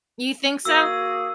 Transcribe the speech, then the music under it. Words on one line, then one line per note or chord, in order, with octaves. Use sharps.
You think so?
A#3 F#4 G#4 E6